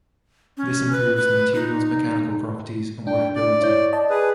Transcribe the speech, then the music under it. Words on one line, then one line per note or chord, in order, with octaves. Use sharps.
This improves the material's mechanical properties and workability.
C#4
B4
B4
D#4
D4 G5
D5
E4 C#5 G6
D5 D#5 A5
G#4 B4